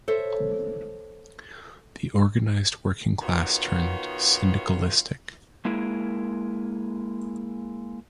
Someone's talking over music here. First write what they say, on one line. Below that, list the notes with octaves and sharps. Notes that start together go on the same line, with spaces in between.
The organized working class turned syndicalistic.
A4 C5 C#5 E5
D#3 B3 F4 F#4 C#5
G#3 A#3 E4 G#4 A#4